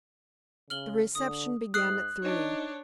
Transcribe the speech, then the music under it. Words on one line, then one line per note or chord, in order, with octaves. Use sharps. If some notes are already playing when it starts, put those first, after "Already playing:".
The reception began at three.
C#3 F6 F#7 G7
D3 D#6
G#2 D#6 F6 F#6 C7
D4 D#4 C#5